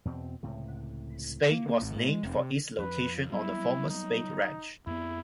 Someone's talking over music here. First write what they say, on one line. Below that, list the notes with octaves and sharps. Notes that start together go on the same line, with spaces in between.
Spade was named for its location on the former Spade Ranch.
E2 B2 B3 C4
C#2 A2 C3
A#3
A#3
G#1
A2
G#3
F1
C3
F2 B4
F#3 G3 B3 E4
D#4
F2 B3 E4